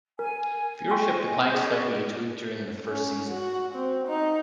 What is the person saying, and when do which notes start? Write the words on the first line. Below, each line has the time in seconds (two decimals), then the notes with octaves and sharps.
Viewership declined slightly each week during the first season.
0.19 A#4 G#5
0.91 D#5 G5 G#5 C6 C#6
1.50 C#4 D4 G#4 D#5 G6
2.88 C#4
3.29 F#4
3.75 C4
4.08 D#4